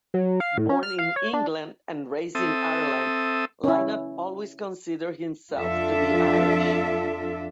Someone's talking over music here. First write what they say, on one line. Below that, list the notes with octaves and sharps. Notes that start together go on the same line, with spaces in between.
Born in England and raised in Ireland, Lynott always considered himself to be Irish.
F#3
F5
A2
C#4
F6
F5
C#5
D4
C4 A4 E5 D#6
C#4 E4
F2 D4 F4 A4 E5